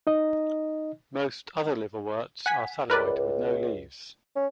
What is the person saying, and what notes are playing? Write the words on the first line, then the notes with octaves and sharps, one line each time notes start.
Most other liverworts are thalloid, with no leaves.
D#4 D#5
F#5 G#5 B6
C#2 A#4 B4 D5
C#4